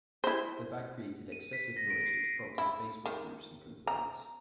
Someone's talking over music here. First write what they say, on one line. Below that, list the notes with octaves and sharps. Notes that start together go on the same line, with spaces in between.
The bag created excessive noise, which prompted Facebook groups and complaints.
E4 C5
D#7
B6
A#6
D7
C7
E4
D#3
A#5